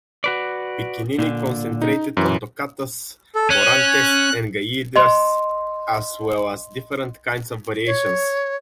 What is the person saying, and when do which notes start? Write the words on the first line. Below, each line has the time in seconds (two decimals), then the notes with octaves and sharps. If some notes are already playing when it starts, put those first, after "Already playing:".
Piccinini concentrated on toccatas, courantes and galliards, as well as different kinds of variations.
0.24 F#4 B4 D5
1.19 A#2 D3
1.82 D#4
2.17 F#2 E3
3.35 A4
3.50 C#4 F#6
4.96 D#5 C6
7.87 C#5